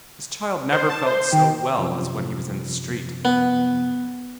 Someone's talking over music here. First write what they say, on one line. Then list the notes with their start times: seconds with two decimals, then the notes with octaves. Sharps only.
This child never felt so well as when he was in the street.
0.72 C5
0.90 A5
1.06 C5
1.33 D#3 G5
1.78 F#2 C3 F3
3.25 B3